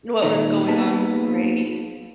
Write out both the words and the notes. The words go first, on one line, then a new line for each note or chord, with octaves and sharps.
what was going on was great.
A#2 D#3 D#4
A#3 B3 D#4 G#4 B4 A5